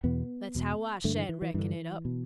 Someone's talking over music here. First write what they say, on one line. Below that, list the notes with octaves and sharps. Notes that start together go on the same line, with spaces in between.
That's how I shed reckon it up.
E2 B2 B3
E2 B2
G2 D3 A3
E3
E3
E3
G2 D3 E3
B2